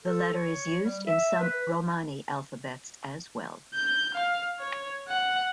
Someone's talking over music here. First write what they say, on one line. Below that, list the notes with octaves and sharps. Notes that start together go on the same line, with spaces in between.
The letter is used in some Romani alphabets as well.
A4
C#5
G3
E5
B4
G6
F5
C#5
F#5